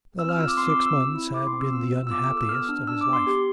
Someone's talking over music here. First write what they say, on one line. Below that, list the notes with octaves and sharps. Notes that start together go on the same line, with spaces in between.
The last six months had been the unhappiest of his life.
C4 E6
F6
F4 E6
D6
C4 C6
D6
F4 E6
E6
C4
E4
A4 D6
C6
C4
E6
F4 E6
B3
E6
F4 D6
D6
A4
E6
B3 F6
D4
D4 E6
D6
B3
C6
G4